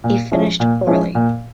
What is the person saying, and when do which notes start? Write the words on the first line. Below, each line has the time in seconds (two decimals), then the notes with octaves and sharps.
He finished poorly.
0.04 A#2
0.31 F3 G#3 C#4 E4
0.60 A#2
0.87 F3 G#3 C#4 E4
1.15 A#2